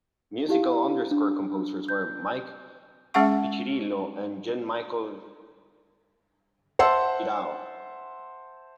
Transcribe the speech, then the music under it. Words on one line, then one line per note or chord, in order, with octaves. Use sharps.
Musical underscore composers were Mike Piccirillo and Jean-Michel Guirao.
E4 G4 F5
D4
G6
G#3 C#4 G#4 E5 F#5 C#6
C5 E5 F#5 A5 C6 E6